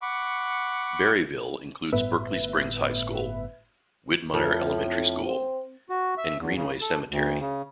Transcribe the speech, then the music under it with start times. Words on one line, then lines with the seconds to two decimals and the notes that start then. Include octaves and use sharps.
Berryville includes Berkeley Springs High School, Widmyer Elementary School, and Greenway Cemetery.
0.02 F#5 B5 C#6 D6
1.92 G1 A2 B3 B4 E5
4.34 F2 A2
5.25 C4
5.89 F#4
6.17 E5
6.38 E2
6.56 C#3
6.81 A4
7.10 D2
7.40 C#3